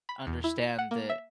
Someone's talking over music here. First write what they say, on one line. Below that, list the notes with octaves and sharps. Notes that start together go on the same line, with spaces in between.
understand that,
B5
E2
E4
F#5
A#3
E5